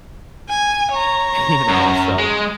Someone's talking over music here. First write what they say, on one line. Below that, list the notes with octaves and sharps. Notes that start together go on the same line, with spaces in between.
you know? So,
G#5
C#5 A#5
F#2
G#3